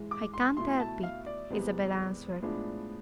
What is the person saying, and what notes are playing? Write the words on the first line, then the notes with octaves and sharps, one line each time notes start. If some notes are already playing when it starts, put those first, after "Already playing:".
"I can't help it," Isabel answered.
Already playing: G#2 E3 G#3
D6
C6
B2 A3 E4 C6
A5
F5
D5
E2 C3 G#3 B3
A2 F3 G#3 B3 D4